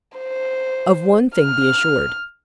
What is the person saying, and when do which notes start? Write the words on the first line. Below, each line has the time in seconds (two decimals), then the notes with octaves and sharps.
Of one thing be assured.
0.18 C5
1.37 F6